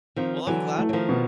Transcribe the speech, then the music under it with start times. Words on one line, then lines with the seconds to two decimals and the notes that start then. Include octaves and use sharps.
Well, I'm glad
0.16 D#3 F3 C4
0.47 D3 E3 F#3
0.78 A3
0.89 F#3
0.93 D#3 F3
1.09 B2